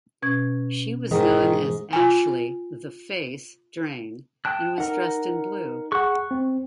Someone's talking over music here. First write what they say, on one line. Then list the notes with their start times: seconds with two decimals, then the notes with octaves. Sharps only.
She was known as Ashley "The Face" Drane and was dressed in blue.
0.22 B2 C#4 G#6
1.11 G#2 D#3 E3
1.93 F4 G#5
4.45 G5 A5 F#6
4.78 D#4 A#4 F#5
5.92 G#4 F#5 C#6 F#6
6.31 C4